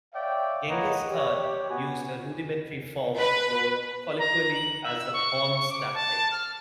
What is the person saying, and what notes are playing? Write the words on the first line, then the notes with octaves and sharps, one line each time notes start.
Genghis Khan used a rudimentary form known colloquially as the "horns" tactic.
C#5 D5 E5 F5 G5
A#3 B4 C#5 D#5 F#5 A#5
G4 C#5
B3 F#4 G#5
B4
A#5
F#7
E5
E6
C#6
D6
A5
F6